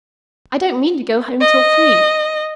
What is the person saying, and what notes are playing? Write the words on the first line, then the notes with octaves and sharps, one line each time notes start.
I don't mean to go home till three.
D#5